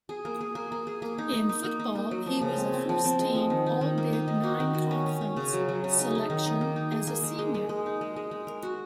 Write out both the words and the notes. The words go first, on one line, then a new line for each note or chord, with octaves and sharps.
In football, he was a first team All-Big Nine Conference selection as a senior.
G#4
A#3
G#4
A#3
A#3
G#4
A#3
D#4
D#4
D#4
A#3
D#4
A#3
F#3
F3
C#3
C4
C4
F3
C4
G#3
F3
D#3
D#4
D#3
A#3
D#4
D#3
F#4
D#3
F#4
C#4
C#4
C#4
C#3
F#3
F#3
C#3
D#4
D#4
D#3
D#4
A#3
D#4
G#4
A#3
G#3
G#3
G#3
G#3
D#4
G#3
G#3
G#3
A#4
F#4